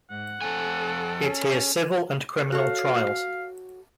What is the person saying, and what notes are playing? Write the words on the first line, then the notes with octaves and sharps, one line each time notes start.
It hears civil and criminal trials.
G#2 F#5
F2 C4 A4 G#5
C#4
F#4 A4 C#5 F5